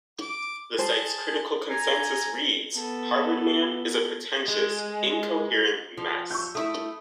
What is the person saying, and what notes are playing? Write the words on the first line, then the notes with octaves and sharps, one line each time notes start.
The site's critical consensus reads, "Harvard Man" is a pretentious, incoherent mess.
D6
G#4 C5 A5
G#5 A#5
B3 A4
G#3
F3
C#6 E6 G6
A3 E4 D#6